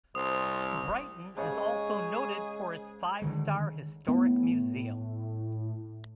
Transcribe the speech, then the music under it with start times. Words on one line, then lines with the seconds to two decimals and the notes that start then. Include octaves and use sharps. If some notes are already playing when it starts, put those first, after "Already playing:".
Brighton is also noted for its five star historic museum.
0.15 C2 C5 D#6
1.37 G#2 C#3 G#4 C#5
3.22 D3 D#3 G#3
4.08 A2 B3